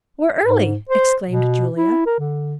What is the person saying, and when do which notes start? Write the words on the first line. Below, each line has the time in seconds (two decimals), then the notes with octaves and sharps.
"We're early!" exclaimed Julia.
0.44 G#2
0.89 C5
1.30 B2
1.76 E4
2.06 A#4
2.20 D3